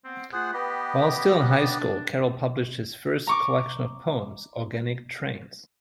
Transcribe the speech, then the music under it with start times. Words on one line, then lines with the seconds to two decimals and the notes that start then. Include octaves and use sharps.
While still in high school, Carroll published his first collection of poems, Organic Trains.
0.03 B3 C4
0.33 A3 F4 G#4 C5 F#5
0.54 B3 G4 B4 D#5 G5 B5
1.61 D4
3.27 A#5 C#6 D6